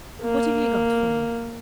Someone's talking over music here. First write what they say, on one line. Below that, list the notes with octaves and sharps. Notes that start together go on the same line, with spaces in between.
What have you got for me?'
A#3